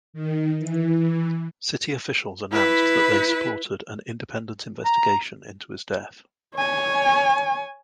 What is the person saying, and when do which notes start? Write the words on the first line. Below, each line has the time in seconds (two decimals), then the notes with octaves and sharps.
City officials announced that they supported an independent investigation into his death.
0.13 D#3
0.59 E3
2.52 E4 B4
4.85 A#5
6.55 C#5 G#5